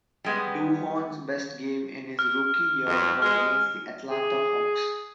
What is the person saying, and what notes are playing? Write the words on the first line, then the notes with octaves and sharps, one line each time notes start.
Duhon's best game in his rookie year was against the Atlanta Hawks.
G3 G#3 B3
F6
F2
G#3 F6
G#4